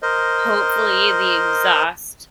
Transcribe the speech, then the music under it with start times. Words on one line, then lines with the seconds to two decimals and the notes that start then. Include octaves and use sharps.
hopefully, the exhaust
0.02 A#4 C5 D#5